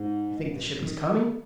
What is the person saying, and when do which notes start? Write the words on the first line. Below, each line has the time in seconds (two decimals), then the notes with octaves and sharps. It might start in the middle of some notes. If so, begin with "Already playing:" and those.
"You think the ship is coming?"
Already playing: G#2
0.33 G2
0.46 G2
0.70 F#2
0.83 D#3